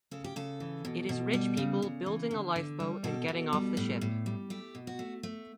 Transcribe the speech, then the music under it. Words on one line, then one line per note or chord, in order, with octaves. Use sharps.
It is rich people building a lifeboat and getting off the ship.
C#3 A4
G4
C#3 A4
E3
B2
B2
G3
C#3
C#3
E3
D3
D3
G3
B2 A4
B2
G3
A2
A2
G3
A3 G4
B2
F#4
A3
A3